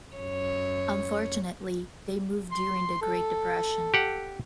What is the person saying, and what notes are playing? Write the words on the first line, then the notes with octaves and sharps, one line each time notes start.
Unfortunately, they move during the Great Depression.
F#2 C#5
C6
A4
G4 F#5